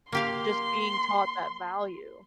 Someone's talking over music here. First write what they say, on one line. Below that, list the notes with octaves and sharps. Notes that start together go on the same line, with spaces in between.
just being taught that value.
A#3 G4 F5 C6